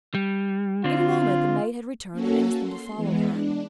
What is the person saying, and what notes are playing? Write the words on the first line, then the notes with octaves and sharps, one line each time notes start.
In a moment the maid had returned and asked them to follow her.
G3
D3 C4 F4
A#3 C#4 F#4 A4
C6
E3 G#3 B3
D4